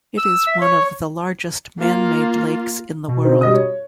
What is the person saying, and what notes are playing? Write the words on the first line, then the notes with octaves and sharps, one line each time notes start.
It is one of the largest man-made lakes in the world.
E6
E5
C#5
A#3 F4
B2
C4 D#4
G3 D#5 D#6
C#5